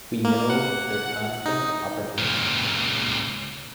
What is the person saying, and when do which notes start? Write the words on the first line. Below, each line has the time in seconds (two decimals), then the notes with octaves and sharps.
We know their constant opportunism.
0.25 A#3
0.50 F#5
1.46 D#4
2.18 C#2 A#2